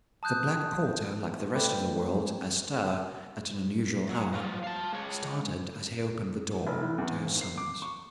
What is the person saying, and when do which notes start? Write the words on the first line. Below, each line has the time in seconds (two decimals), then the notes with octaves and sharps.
The black porter, like the rest of the world, astir at an unusual hour, started as he opened the door to her summons.
0.23 A5 D#6 F#6 G6
1.55 A3 C4 B4 D5 G5
4.09 F#3
4.33 F#3 F4
4.64 F5 A5
4.93 G#3 C#5
6.67 F1
6.81 E3
6.98 E2
7.24 G#1
7.41 C7
7.58 D6
7.82 C#6